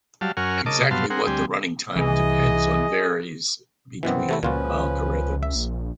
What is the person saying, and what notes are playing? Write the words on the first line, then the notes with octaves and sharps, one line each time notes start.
Exactly what the running time depends on varies between algorithms.
F#3 G3 F5 A5
F#2 C#4 A#4 F#5 G#5 F6
C#3 A#4 D#5 A5 D6
G2 F#3 B3 F5 A5 C6
C4 G#4 A#4 F#5
D2 G3 C4 G4 G#5
C2 E3 G#4 D#5
F#2 B2 E3 B3 C4
C3 A3 E4
C#2 A#2 F3 C#4 F4 F#4 B4
E5
A#1